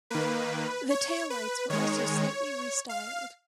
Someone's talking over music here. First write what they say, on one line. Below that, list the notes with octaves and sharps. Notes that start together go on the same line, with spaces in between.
The taillights were also slightly re-styled.
D#3 A#3 B4
C#5
B4
D#3 G#3 C#5
F5